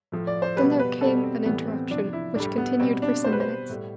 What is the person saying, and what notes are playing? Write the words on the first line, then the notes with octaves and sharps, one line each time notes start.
Then there came an interruption, which continued for some minutes.
A2 F3
D5
C5
B2 G3 B4
B4
B2 G3 A4
C4
A2 E3 G3 B3
C4
C3 F3 D4
E4
A2 G3 D4
B3
B2 G3 C4
D4
B2 G3 B4 C5
C5
A2 G3